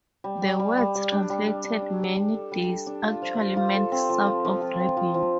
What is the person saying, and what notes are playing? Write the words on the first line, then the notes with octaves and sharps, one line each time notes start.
The words translated 'many days' actually meant 'south of Rabin'.
G3
G3
G3
G3
G3
D4
G3
G3
D4
D4
G3
G3
A4
G3
A4
D4
F4
F3
F4
F4
A4
C4
F3
F4
F3
F4
C4
F3
F3